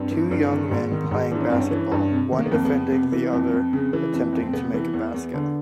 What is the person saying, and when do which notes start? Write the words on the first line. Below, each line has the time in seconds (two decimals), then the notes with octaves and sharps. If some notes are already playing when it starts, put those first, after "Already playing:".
Two young men playing basketball, one defending the other attempting to make a basket.
Already playing: G2 C4
0.11 E3
0.31 G2
0.51 D#3
0.71 G#2
0.92 D#3
1.11 G#2
1.31 E3 D4
1.41 C#4
1.50 G2 C4
1.60 C#4
1.71 E3
1.92 G2
2.12 C3
2.32 D#3
2.39 A#3
2.46 B3
2.51 F2 A#3
2.65 B3
2.72 F2
2.92 C3 B3
3.12 E3
3.33 F2
3.53 F2
3.73 C#3
3.93 E3
4.13 F2
4.33 F2
4.42 C4
4.53 C3 B3
4.74 E3
4.93 E2
5.14 E2
5.34 D3